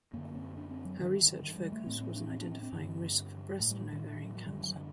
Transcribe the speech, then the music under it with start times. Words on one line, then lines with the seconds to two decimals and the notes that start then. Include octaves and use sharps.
Her research focus was on identifying risk for breast and ovarian cancer.
0.13 F#2 D3 A#3
0.35 C4
0.57 D4
0.70 C4
0.85 F#3
1.00 G2 D3 D#3
1.43 D#3
1.58 G3
1.72 A3
1.86 A2 C4
2.01 C4
2.15 D4
2.30 C4
2.41 D4
2.51 C4
2.62 C4
2.72 G2 D3
3.60 A2 A3
3.71 G3
3.93 D#3
4.14 D#3
4.24 F#3
4.35 F#3
4.46 F#2 D3 G3
4.61 F#3
4.75 D3